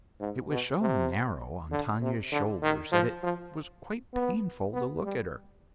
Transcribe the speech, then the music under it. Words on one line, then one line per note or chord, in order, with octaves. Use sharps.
It was so narrow on Tanya's shoulders that it was quite painful to look at her.
G#2
B2
C3
D3
C3
D3
D#3
F3
F3
B3
B3
G3